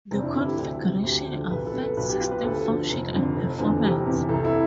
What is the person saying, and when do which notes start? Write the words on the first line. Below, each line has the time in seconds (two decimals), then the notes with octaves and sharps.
The configuration affects system function and performance.
0.11 F1 C4
0.18 D4
0.23 E4
0.34 F2 D3 E4
0.45 G4
0.57 D2
0.81 C3 F3
1.03 D2 G4
1.27 D3 F3
1.51 B1 B4
1.66 A4
1.73 B2
1.82 B4
1.97 B1 B4
2.08 G4
2.20 B2 F4
2.31 B4
2.43 D2 A4
2.66 D3 F3
2.90 F1
3.13 F2 D3 F3
3.36 F1
3.59 E2 D3 F3
3.83 F1 G4
4.06 E2 C3
4.29 C2 A4
4.45 E4